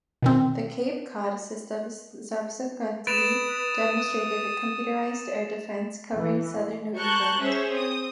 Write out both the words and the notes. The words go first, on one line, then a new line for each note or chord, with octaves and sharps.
The Cape Cod System subsequently demonstrated computerized air defence covering southern New England.
B2 D#3 C4
B4 D#6 A6 D7 E7 F7
E3
A#4 A5 C#6 F#6 G6
C#4 G#4 C5 C#5 E5
C4 D#6